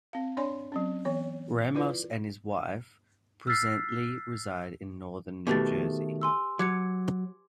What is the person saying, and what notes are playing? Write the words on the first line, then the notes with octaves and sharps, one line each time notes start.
Ramos and his wife presently reside in northern New Jersey.
C4 F5
D4 C#5 D5 G#5 C6
F#3 C4 C#4
E3 B3 C#5
E4 F4 B4 D5
E6 F6 G6 A6 B6 C7
B2 D#3 A3 G4 B4 A6
G#5 C6 E6
F#3 D6 G#6 C#7